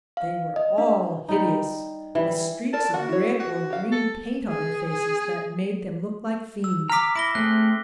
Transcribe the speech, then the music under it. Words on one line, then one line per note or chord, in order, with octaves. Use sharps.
They were all hideous--with streaks of red or green paint on their faces that made them look like fiends.
F5
D#5
D4
G3 D#4
E3 G3
A4 A#4 D5 A5
A#3 F#4 F#5
E4 C#5
F#4
G4 F5
A4
G#4
G#4
E6
A#5 D6 F6 B6
E4 D6 A#6 G7
A3 C4 G#4 F#6